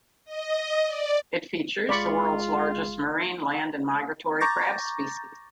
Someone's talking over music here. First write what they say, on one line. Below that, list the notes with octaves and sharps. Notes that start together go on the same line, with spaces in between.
It features the world's largest marine, land and migratory crab species.
D#5
D5
F#1 G#3 F4 D5 B5 C#6
A#5 C#6 D6 G6 A6 A#6